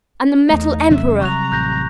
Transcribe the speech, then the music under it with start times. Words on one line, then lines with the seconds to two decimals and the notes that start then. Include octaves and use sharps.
And the Metal Emperor!
0.50 E2 A3 D#4
0.91 C3 F#3 C#4 E5
1.21 C3 F#3 G3 A#5 C#6 F#6 F7
1.52 A1 F#6 G6 A#6